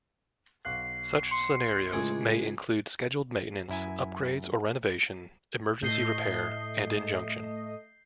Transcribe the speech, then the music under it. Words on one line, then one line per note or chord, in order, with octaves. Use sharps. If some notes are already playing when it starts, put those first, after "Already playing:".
Such scenarios may include scheduled maintenance, upgrades or renovation, emergency repair, and injunction.
B1 F5 F#6 C7
C6 C#7
C#2 A2 G#3 G#4 D6
F#2 E4 G#5
A2 A3 D#5 G6 C7 G7